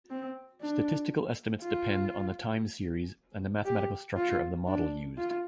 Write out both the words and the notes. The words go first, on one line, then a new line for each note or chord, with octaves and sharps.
Statistical estimates depend on the time-series and the mathematical structure of the model used.
C4
D4
F4
G4
F4
D4
F4